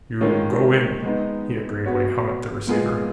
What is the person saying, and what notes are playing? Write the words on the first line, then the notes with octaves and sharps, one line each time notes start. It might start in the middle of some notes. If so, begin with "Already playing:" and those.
"You go in," he agreed when he hung up the receiver.
D#3 G#3 C#4 F4
G#3 B3 D#4
B3 F#4 C#5
A#2 G#3 B3 F4 G#4